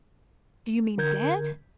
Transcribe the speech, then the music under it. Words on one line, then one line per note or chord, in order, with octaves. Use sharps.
Do you mean dead?
D3 A#4 G6 G#6